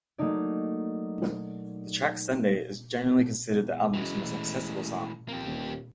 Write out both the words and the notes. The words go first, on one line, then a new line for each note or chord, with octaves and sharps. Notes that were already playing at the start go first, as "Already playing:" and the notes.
The track "Sunday" is generally considered the album's most accessible song.
F#3 A3 A#3 D#4 D5
E2
F#2 E3 G#3
A1
F2 A#3 G4
D#1